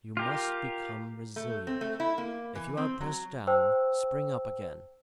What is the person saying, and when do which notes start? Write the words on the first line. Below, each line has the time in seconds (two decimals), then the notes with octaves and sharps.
You must become resilient; if you are pressed down, spring up again.
0.17 F4 G4 A#4
1.36 A3
1.67 C4
1.81 A3
2.00 E4
2.18 A#3
2.55 E3
2.77 C4
3.01 F#3
3.47 C5 G5 A5 E6